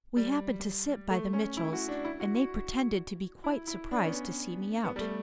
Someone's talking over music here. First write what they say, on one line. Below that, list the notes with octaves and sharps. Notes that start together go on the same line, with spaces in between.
We happened to sit by the Mitchells, and they pretended to be quite surprised to see me out.
G3
A3
C#4
E4
F#4
D4
E4
F#4
F#4
E4
E4
D4
C#4
B3
C#4
B3
G3
A3